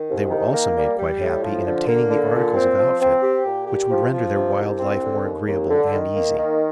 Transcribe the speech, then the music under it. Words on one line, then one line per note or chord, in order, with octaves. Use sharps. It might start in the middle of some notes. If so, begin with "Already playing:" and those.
They were also made quite happy in obtaining the articles of outfit which would render their wild life more agreeable and easy.
Already playing: D#3
C2
D#3
A#3
G3
G3
A2
F3
D3
A#3
D3
A#2
C4
F3
C4
G4
A#2
G4
F3
F3
C3
C2
C4
D3
D#2
D#2
D3
D#3
A#3
D#3